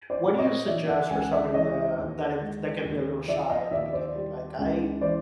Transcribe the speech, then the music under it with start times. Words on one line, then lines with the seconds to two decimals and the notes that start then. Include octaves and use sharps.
What do you suggest for somebody that that if that can be a little shy at the beginning? Like, I
0.10 C5 D5
0.24 A#2
0.38 C#5 D#5
0.67 E3 D5 E5
0.89 E5 F#5
1.10 C#2 F#5 G#5
1.32 D5 E5
1.54 E3 C#5 D#5
1.98 D#2
2.41 G#3
2.85 D#2
3.28 F3 D5 E5
3.50 D#5 F5
3.71 D#2 D5 E5
3.93 C5 D5
4.16 G3
4.58 C#2
5.01 E3 C5 D5